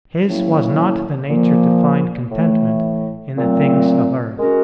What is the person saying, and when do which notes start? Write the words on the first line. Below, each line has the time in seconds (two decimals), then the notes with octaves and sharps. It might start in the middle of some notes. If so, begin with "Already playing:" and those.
His was not the nature to find contentment in the things of earth.
0.25 A2 F#3 A#3 C#4 E4
1.28 A#2 F3 A#3
2.31 A2 E3 A3
3.34 A#2 F#3 A3 C4
4.37 G#3 C#4 F#4 A#4